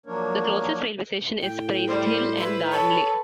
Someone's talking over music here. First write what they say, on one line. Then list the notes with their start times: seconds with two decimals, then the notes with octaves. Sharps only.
The closest railway station is Priesthill and Darnley.
0.06 F3 F#3 A#3 D4 A#4 C#5
1.42 A2 G5
1.88 G3 C5
2.38 E4 B4
2.71 A4 C#5